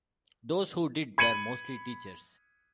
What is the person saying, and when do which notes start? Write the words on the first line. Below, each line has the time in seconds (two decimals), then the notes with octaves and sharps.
Those who did were mostly teachers.
1.18 B5 G#6 C#7 D#7 F#7